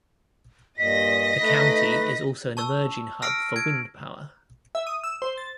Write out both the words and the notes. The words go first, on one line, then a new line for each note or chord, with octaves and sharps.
The county is also an emerging hub for wind power.
G2 A#2 D#5 A#6 B6
A3 D#4 B4
A5 C#6 E6
E6 F6 A#6 C7 D7
G#6 D7
E5
D#6
E6
C5
A6